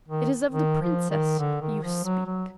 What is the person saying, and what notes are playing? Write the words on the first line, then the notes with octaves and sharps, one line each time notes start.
"It is of the princess you speak."
D#3
D#3
F3
D#3
D3
D#3
F3
F#3
F#3